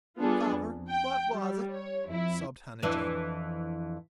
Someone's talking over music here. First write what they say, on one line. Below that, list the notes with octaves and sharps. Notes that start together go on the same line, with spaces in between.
"Father, what was it?" sobbed Hannah Jane.
G3 B3 D4 F4 G#4 A4
F2
G5
G3
C#5
F2 E4
F2 E3 D4